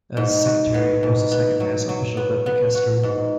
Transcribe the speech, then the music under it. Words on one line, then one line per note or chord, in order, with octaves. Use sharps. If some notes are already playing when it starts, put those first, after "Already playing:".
As Secretary, he was the second-highest official of that dicastery.
G#2
F#4
B3
G#2
B3
F#3
F#3
B3
B3
F#4
G#2